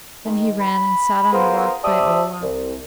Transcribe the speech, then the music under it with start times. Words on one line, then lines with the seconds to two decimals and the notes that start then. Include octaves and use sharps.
Then he ran and sat on a rock by Olaf.
0.25 D#3 G#3
0.59 B5
1.32 B3 F4 G#4 A#4 C5
1.83 G4 C5 D5 E5 A5 D#6
2.41 C2